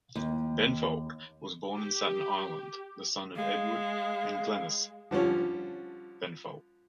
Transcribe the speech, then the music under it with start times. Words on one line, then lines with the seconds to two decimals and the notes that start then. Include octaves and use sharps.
Benfold was born in Staten Island, the son of Edward and Glenys Benfold.
0.16 D#2
1.77 G4
3.36 G#3 F5
5.11 D3 F3 G3 C#4